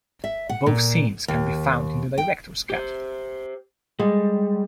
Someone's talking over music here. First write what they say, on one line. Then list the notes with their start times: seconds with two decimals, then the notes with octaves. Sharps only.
Both scenes can be found in the director's cut.
0.24 E5
0.49 F#5
0.66 A#2
1.28 D#2
2.18 G5
2.70 G4 C5
3.99 G3 G#3